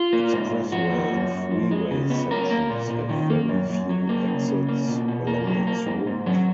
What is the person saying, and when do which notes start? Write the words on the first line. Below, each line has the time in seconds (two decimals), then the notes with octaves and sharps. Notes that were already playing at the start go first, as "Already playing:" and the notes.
Expressway and freeway sections have very few exits along its route.
Already playing: F4
0.13 A#3
0.33 G#2
0.52 G#2
0.72 F3 F#4
0.91 A#3
1.12 F#2
1.31 F#2
1.51 F3
1.71 G#3
1.91 C#3
2.10 B3
2.31 F#3 A#4
2.51 A#3
2.70 A#2
2.90 A#2
3.09 D#3
3.30 A#3
3.49 F#2
3.69 F#2
3.89 F#3
4.09 A#3
4.28 C#3
4.48 C#3
4.69 A#3
4.88 B2
5.08 B2
5.27 A#3
5.47 F#3
5.67 A#3
5.87 G#2
6.07 G#2
6.26 F#3